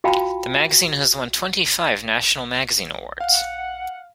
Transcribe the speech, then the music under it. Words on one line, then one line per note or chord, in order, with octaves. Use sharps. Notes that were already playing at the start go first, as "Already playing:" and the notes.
The magazine has won twenty-five National Magazine Awards.
F4 F#4 F5 G5 A5 B5
F5 F#5